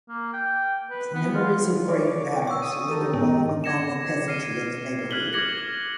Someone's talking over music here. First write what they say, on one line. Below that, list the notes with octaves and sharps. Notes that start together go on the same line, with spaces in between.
The memories of great battles linger long among the peasantry of the neighborhood.
A#3
G5
B4
B3
F4
C#5 D5
C#6 E6
D#6
G4 A4 A#4
G#2 B3 C#4 A#4
D6 G#6 A#6 C#7 E7
F6 C7 D#7
F6 F#6 G#6 B6 F#7 G7
D6 F6 G#6 A#6 C#7 F#7